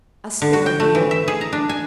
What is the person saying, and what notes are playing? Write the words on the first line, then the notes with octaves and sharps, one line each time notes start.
"A spare wheel?"
D3
F#4
G5
A3
E3
E5
G#4
A#5
D4
G#5